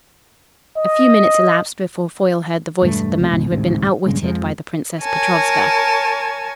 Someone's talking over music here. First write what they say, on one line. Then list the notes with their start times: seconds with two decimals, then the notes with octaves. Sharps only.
A few minutes elapsed before Foyle heard the voice of the man who had been outwitted by the Princess Petrovska.
0.76 D#5
2.82 E1 G2 A3
3.19 C#2 C3 A3
3.31 C#2 G#2 B2
3.50 A1 D2 G#2 C3
4.06 A#1 G2 C#3 G#3
4.22 F2 F3 G#3
5.02 A#4 C#5 G#5 A5